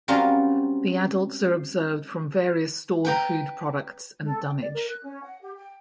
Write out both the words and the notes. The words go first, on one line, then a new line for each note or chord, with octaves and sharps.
The adults are observed from various stored food products and dunnage.
F#3 G3 C4 C#4 F4 A#4
B4 G5 A#5
A4
G5
D5
A#4
F#6
C#4
F#5
G4
G5